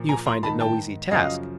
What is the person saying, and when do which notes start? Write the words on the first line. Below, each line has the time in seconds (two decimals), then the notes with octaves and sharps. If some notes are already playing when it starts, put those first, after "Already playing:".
You find it no easy task.
Already playing: A#2 F3
0.09 G#5 A#5
0.26 A#5 C6
0.43 G#2 D#3 A5 B5
0.60 G5 A5
1.11 F#2 C#3 F3 D#5 F5